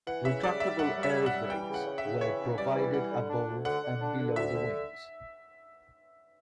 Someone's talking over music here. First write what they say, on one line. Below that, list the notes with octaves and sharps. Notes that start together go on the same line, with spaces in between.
Retractable airbrakes were provided above and below the wings.
E3 F#5
C#3 E5
G3 D5
G3 E5
F#2 F#5
G3
E5
C#3
F#5
G3
E3 G5
C#3
F#5
C#3
E5
C#3
E3 C#5
C#3
G3 D5
E3
G3 F#5
D3
D4
D2
D3 F#5
D3
D4
D3
D2 E5
D3